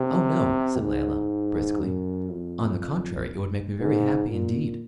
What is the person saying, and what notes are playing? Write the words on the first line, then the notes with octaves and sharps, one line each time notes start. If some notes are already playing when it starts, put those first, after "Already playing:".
"Oh no," said Layelah, briskly; "on the contrary, it would make me very happy indeed."
Already playing: C3
G#2
F#2
F2
G#2
A#2